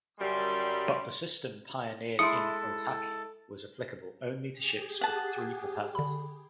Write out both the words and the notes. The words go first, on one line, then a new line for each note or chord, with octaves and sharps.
But the system pioneered in "Otaki" was applicable only to ships with three propellers.
F#2 G3 C6
G#3 E4 A4 C6 D#6 C#7
G4 G#4
F#5 A5
D3 B5